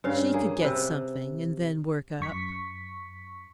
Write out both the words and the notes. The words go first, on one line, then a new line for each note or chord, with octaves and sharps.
She could get something and then work up.
G2 C#3 F5
A#3 G#4
C3 B4
F#2 C#6 B6